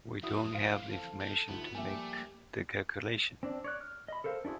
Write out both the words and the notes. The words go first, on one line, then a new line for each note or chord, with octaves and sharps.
We don't have the information to make the calculation.
F2 E3 E4 F#4 D#6
C5 F5
A4
D#3
D2 B3 D#4 F4 G4
F3 G3 A3 A#3 G4 A#4 E5 G#5
C4 D4
C#5 D5 F#6
F6
D#5 B5
A4 A#4 C5 F5
D4 E4 F#4 G#4 C5